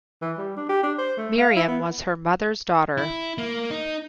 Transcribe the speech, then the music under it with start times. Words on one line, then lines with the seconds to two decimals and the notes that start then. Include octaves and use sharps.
Miriam was her mother’s daughter.
0.22 E3
0.38 G3
0.57 D4
0.69 G4
0.83 D4
0.98 C5
1.17 A3
1.38 F5
1.56 E4
1.68 B3
2.98 E4
3.38 A#3
3.70 D#4